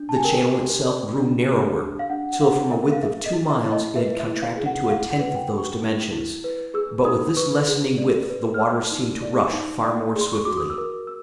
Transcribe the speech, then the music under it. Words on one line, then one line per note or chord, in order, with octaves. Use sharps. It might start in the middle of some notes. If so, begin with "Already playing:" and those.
The channel itself grew narrower, till from a width of two miles it had contracted to a tenth of those dimensions; but with this lessening width the waters seemed to rush far more swiftly.
Already playing: D4
A5
G#5
A#4 G5
G4
D5
D4
G4
D4
F5
D4 F#5
F#5
D4 F5
A#4 E5
F5
G#4 E5
D#5
E4
E5
E4
D#5
B4 E5
E5
E4
F5
G#4
F#5
E4 F5
F#5
B4
G5
G#4
C#6
E4
E4
B4
G#4 E6
D#4 D#6
B4 C#6
G#4
D5
B4
F6
D5 E6
D#4
D5
D#4
D5
G#4
C6
C#6
F#4 D6
D#6
E6
A#4
E6